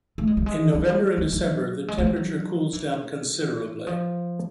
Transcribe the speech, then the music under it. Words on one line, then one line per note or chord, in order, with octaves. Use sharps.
In November and December, the temperature cools down considerably.
A3
G#3
G3
G#3
F#3
G3
F#3
F#3
G#3
A3
G3
F#3
E3
F3